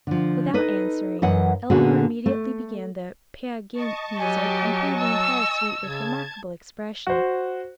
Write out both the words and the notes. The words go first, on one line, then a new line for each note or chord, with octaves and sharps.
Without answering, Eleanor immediately began the "Peer Gynt" music and played the entire suite with remarkable expression.
D3 F3
D#4 A4 B4 D#5
F#2 E3 D#5 F#5
A#2 D3 B3 F#4 G#4
A3
D#5 A5 C#6
F#3 G4 G#5
E6
C#3 A5 G#6
F#4 C5